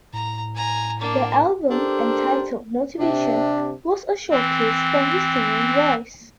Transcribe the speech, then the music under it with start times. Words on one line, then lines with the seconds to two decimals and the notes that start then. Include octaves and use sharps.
The album, entitled "Motivation", was a showcase for his singing voice.
0.13 A2 A#5
0.56 G#5 A#5
0.99 A#3 D4
1.70 D4 G4 A4 A#4 C5
2.99 C3 D4
4.30 E3 C4